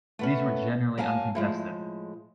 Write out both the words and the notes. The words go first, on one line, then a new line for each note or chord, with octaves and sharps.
These were generally uncontested.
A3 B3 C#4
F#3 A#3 F5 G#5 A5
A2 F3 G#3